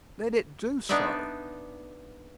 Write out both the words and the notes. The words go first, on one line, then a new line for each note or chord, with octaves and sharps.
"Let it do so."
B3 D4 D#4 D5 E5